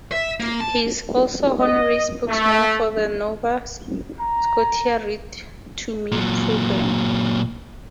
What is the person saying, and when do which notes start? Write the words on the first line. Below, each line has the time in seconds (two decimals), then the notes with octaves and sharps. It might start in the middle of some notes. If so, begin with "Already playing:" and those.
She is also Honorary Spokesperson for the Nova Scotia Read to Me program.
0.12 E5
0.40 A#3
0.61 A5
1.60 D#5
2.29 A3
4.20 A#5
6.12 A#2 F#3